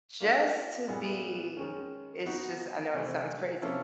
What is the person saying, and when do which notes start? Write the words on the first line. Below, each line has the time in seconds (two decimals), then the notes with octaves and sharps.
just to be it's just I know it sounds crazy.
0.20 A#3 D4 F4 A#4
0.88 A#2 G3 B3 E4 G#4
1.57 D#3 G#3 C#4
2.25 B3 D#4 F#4
2.94 C3 E3 A3 C4
3.62 C3 F3 A#3 C#4 E4